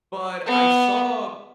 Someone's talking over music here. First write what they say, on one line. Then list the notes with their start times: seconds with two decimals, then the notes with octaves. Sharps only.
But I saw
0.46 B3